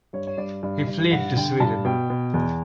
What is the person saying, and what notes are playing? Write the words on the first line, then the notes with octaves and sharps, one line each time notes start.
He fled to Sweden.
G2 C#5
C#5
G2 D5
G2
G2
G2 F#5
D3 G5
G2 A5
B2 G5
B2
E2